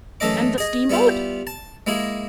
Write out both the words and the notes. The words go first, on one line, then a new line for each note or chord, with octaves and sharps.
"And the steamboat?"
F#2 E3 A3 A4 D#5 D6
G#4 D#5
G3 B3 E4 F4 G4
A5
G#3 A#3 E4 G#4